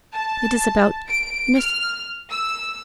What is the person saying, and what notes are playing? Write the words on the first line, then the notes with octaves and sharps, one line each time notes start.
It is about--Mr.
A5
D7
F6
E6